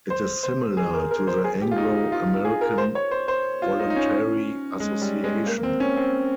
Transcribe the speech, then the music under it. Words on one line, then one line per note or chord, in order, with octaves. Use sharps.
It is similar to the Anglo-American voluntary association.
C5
C5
G#4
A#4
A#4
C5
G#4
G4
F4
D#4
D#4
F4
G#4
A#4
C5
C#5
C5
C5
F4
D#4
D#4
C#4
G#3
G3
G#3
A#3
A#3
C4
C#4
C4